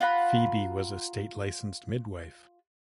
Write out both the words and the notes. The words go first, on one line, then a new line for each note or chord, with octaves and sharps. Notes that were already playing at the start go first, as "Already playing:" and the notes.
Phoebe was a state-licensed midwife.
F4 F#5 A#5 B5